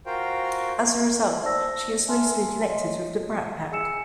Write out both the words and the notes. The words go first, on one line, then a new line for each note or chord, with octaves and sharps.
As a result, she is loosely connected with the Brat Pack.
F4 F#4 A#4 C5 F5 G5
D#4 C5 D5 A5 E6 A#6
E5 G#5 A5 C6 F6
C#5 D#5
G#4 G#5 E6 C#7 E7